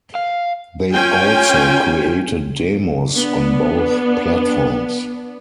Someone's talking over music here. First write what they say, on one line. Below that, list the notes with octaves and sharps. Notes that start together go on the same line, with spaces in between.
They also created demos on both platforms.
F5
C#4 F4 G5 G#5
B3 D4